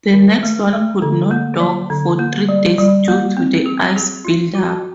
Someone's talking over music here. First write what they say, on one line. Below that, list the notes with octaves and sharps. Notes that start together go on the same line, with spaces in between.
The next one could not dock for three days due to the ice buildup.
D#3
A3
A3
D3
A#3
F#3
D3
A#3
G3
G3
A#3
C4
G#4
G#4
F4
F#4